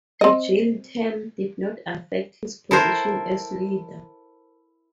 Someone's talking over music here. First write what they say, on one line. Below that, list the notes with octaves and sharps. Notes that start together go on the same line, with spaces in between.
The jail term did not affect his position as leader.
C4 D#5
E4 A4 A#4 C5